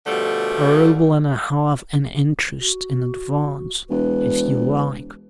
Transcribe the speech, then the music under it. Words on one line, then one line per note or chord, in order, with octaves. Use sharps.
"A rouble and a half, and interest in advance, if you like!"
B2 D3 F3 G3 A3
F#4
E1 B4